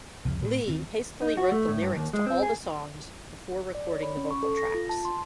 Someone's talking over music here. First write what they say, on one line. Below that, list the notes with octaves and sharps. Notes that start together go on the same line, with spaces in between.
Lee hastily wrote the lyrics to all the songs before recording the vocal tracks.
C2 F2 C#3 F3
A2
D2 D#3 E3 C4
D#4
F#4
A3
A2
G2
D#2
G#3
C4
G#4
D5
C#5
B5
C#4
C#6
A4
A#6
F4
A5
C6